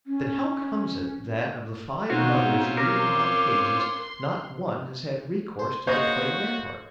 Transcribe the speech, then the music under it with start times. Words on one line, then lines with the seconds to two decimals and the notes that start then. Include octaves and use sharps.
Then how comes it that, of the five mothers reared in my cages, not one has had recourse to the clay rampart?
0.07 C#4
2.09 B2 C4 C#4 D#4 F4 F#4
2.77 A#4 C6 D6
5.59 C5
5.87 A#3 D#4 F#4 G#4 C5 C#5 D#5